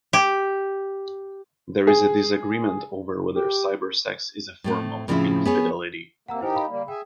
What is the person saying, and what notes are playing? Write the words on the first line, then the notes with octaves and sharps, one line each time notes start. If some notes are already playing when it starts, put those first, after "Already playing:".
There is disagreement over whether cybersex is a form of infidelity.
G4
G#4
G4
A2 A3 C4
A2 C#3 F3 C4 E4
B3 G#4 C#5
C3 A#3 F#5 A#5 E6
D#3 D#4 E4 G4 C5 G#5
F5 B5
G3 A#3
G#4 E5 G5